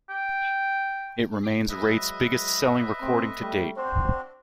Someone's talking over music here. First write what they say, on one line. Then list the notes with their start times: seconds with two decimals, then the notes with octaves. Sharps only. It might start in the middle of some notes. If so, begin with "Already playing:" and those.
It remains Raitt's biggest-selling recording to date.
0.10 G5
1.69 F#3 G#3 B4 D#5 E5
3.01 A3 C4
3.40 G3 A3
3.77 C4 D4 F#4 C5